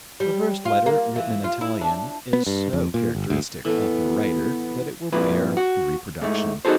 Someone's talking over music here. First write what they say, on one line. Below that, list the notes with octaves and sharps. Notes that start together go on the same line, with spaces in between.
The first letter, written in Italian, is so characteristic of the writer that it will bear reproduction.
G3
F4
A#3
E3
F4
E4
D4
B3
G2
F2
A#2
G1
D2
A2 E3 A3 B3
F2 A#2 E4 B4
F#4
G#2 A3
D#4 F#4 G#4 A4 C5